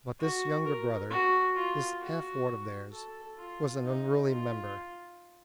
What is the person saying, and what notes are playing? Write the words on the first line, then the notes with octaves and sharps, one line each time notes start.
But this younger brother, this half ward of theirs, was an unruly member.
F#4
A#4
F#4
F4
F#4
A4
F4
D#4
F4